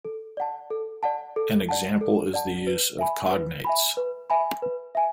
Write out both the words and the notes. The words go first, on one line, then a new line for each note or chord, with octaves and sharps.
An example is the use of cognates.
A4
D5 F#5 A5
A4
D5 F#5 A5
A4
D5 F#5 A5
A4
D5 F#5 A5
B4
E5 G#5 B5
B4
E5 G#5 B5
B4
E5 G#5 B5
B4
E5 G#5